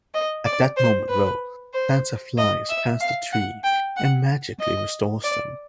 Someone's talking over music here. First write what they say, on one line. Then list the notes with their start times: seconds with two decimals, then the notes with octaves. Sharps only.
At that moment though, Santa flies past the tree and magically restores them.
0.14 D#5
0.45 D5
0.77 C5
1.09 B4
1.74 C5
2.38 D#5
2.70 E5
3.01 F5
3.33 F#5
3.64 G5
3.97 F#5
4.60 D#5
5.24 D5